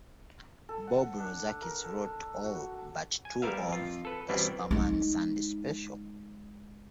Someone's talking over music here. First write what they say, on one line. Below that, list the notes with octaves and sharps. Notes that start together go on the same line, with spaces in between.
Bob Rozakis wrote all but two of "The Superman Sunday Special".
A4
F#5
D4
A#4
A4
F#4
A5
G#5
G3 B3 A#4 B4 E5 F5
F2 F4
A4 B4
F#2 B2 E3 G3 B3 C4
G#3 D#4